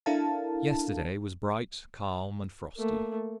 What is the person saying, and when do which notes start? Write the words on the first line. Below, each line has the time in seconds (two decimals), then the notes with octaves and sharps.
Yesterday was bright, calm, and frosty.
0.06 D4 E4 A4 A#4 F5 A5
2.77 A3 A#3